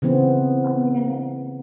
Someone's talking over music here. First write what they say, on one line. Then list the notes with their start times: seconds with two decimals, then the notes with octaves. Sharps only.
Oh my goodness.
0.02 C#3 E3 B3 C4